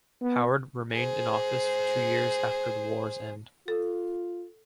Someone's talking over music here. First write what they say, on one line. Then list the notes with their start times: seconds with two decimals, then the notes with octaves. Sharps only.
Howard remained in office for two years after the war's end.
0.21 B3
0.92 G#4 C5
3.68 F4 A4